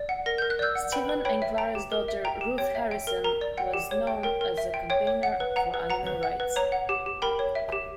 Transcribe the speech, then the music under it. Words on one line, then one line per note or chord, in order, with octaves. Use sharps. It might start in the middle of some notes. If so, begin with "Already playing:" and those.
Stephen and Clara's daughter Ruth Harrison was known as a campaigner for animal rights.
Already playing: D5
F#5
A#4 A#6
A#4 G6
F#6
D5 E6 G6
F#5
B4 G5 B5
B4
C#5 G5 B5
E5
G5 A#5
G4
A#4
E5
G5 A#5
G4
C#5 G5
E5
G5
A#4
A#4 A#5
D5
F#5 G5
G4
C#5
G5
A#4 G5
A#4
E5
G5
C#5 G5
C#5
F#5
B4
F#5 A#5
B4
F#5 A#5
B4
F#5
B4
C#5 A#5
F#5
G4
G4
A#4 G5 B5
C#5
E5
G4